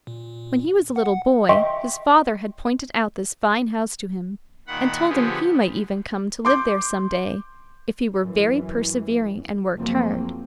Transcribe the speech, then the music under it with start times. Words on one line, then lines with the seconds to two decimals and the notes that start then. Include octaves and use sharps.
When he was a little boy his father had pointed out this fine house to him, and told him he might even come to live there some day, if he were very persevering and worked hard.
0.07 A#2
0.96 F#5
1.49 D#5 E5 G5 C6 C#6
4.67 A#2 D#3 F#5 B5
5.09 D3 F3 B3 G4 G#4
6.45 C6 D6 G6
8.23 F#2 E3
9.78 F#1 F3 F#3 A#3 C4